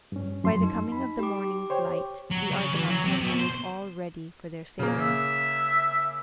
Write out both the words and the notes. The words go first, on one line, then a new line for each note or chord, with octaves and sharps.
By the coming of the morning's light the Argonauts had made all ready for their sailing.
G2 C#4
F#2 C6
D#4
B5
G4 D6
C5 C#5 G5
F#3
C#3
E3
F#3
C3
B2
C5
C#3 A#3
E5